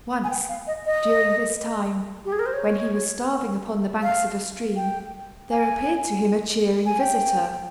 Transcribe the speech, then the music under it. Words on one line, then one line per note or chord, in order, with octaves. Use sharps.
Once, during this time, when he was starving upon the banks of a stream, there appeared to him a cheering visitor.
G#5
G5
F5
D#5
D#5
G4
G#4
A#4
C5
C#5
F5
G5
G#5
G#5
G5